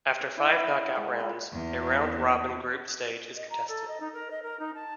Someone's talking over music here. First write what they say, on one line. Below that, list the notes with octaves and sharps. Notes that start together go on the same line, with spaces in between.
After five knockout rounds, a round-robin group stage is contested.
C#5
E4
B5
F#5
G#3
F4
E2
D#5
A#5
A4
D#5
D#4
A#4
D#5
A#4
D#4
A5